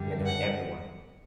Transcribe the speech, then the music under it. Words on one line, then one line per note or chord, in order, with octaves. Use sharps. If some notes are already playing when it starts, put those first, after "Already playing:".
you're doing everyone
Already playing: F#2 D3 G3
F#5